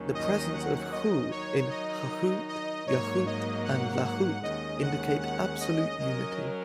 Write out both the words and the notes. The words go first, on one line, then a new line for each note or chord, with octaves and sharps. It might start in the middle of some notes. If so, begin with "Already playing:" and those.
The presence of Hoo in HaHoot, YaHoot and LaHoot indicates Absolute Unity.
Already playing: D#2 D#3 F#3 C#4
D#5
F#5
D#5
D#3 F#3 D#4 C#5
D#5
D#5
G#2 F#3 A#3 D#4 C#5
D#5
F#5
F#5
D#2 D#3 G#3 C#4 D#5
F#5
F#5
D#5
F#3 C#4 A#4 D#5